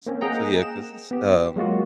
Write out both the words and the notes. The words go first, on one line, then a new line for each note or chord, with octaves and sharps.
s so yeah 'cause it's, um
A#3 C4 C#4
A#3 G#4 D#5 F#5 G5 A#5
E7
B3 G4
F#3 G#3 A#3 F4 F#4